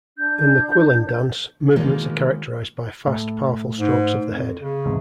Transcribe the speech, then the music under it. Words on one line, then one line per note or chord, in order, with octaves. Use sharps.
In the qilin dance, movements are characterized by fast, powerful strokes of the head.
D4 G6
D#2 B2 D#3 E3 G#3 A#3
A2
G#2
F2
C#3
E2 G#2 C3